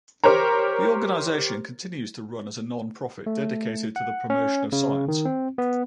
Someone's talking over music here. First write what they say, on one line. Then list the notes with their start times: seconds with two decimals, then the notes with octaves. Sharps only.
The organization continues to run as a non-profit dedicated to the promotion of science.
0.24 G4 A#4 C5 C#5 A#5
3.26 A3
3.96 F#5
4.30 C#4
4.72 C#3
5.08 D#3
5.25 C4
5.58 B3